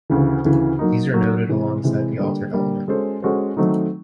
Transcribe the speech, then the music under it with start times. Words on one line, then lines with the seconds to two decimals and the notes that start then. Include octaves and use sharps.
These are noted alongside the altered element.
0.10 D2 C#3 E3
0.45 D2 C#3 E3
0.79 F#3 A#3 D#4
1.14 F#3 A#3 D#4
1.49 C3 E3 G#3
1.84 C3 E3 G#3
2.18 D3 G3 A#3
2.52 D3 G3 A#3
2.88 G#3 C#4 F#4 A4 C5
3.22 G#3 C#4 F#4 A4 C5
3.57 D#3 F#3 A3 C4 D#4